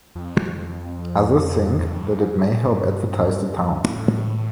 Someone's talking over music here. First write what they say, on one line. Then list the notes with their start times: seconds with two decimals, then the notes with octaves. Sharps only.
Others think that it may help advertise the town.
0.15 F2
1.77 E2
1.89 F2
2.01 G2
3.87 A2